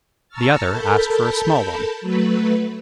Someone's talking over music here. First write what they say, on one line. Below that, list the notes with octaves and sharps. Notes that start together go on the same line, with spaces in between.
The other asked for a small one.
A5 A#5 C#6 E6 F6 A6
A4 A#4 A5 B5 G6
F#3 A3 B4